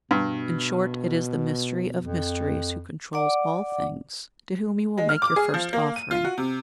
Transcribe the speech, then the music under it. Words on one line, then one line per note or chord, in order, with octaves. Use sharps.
In short, it is the Mystery of Mysteries, who controls all things, to whom you will make your first offering.
G2 B2
F2
D5 F#5 D6
G#3
F6
D6
G#4
F3
A#3
D#7
F4
F#4
C3